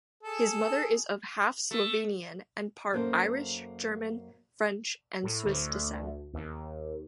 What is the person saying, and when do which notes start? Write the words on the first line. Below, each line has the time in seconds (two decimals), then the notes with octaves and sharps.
His mother is of half Slovenian and part Irish, German, French, and Swiss descent.
0.23 G#4 A4
1.71 A3
2.93 F#2 A#3 A4 C5
5.23 A2
5.45 D2
6.34 D#2